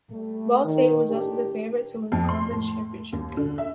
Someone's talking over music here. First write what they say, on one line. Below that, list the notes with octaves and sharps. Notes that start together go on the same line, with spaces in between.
Ball State was also the favorite to win the conference championship game.
G3 A3
D#3
A2 D4 G4
F2
C6
A2
D#2
D3
E5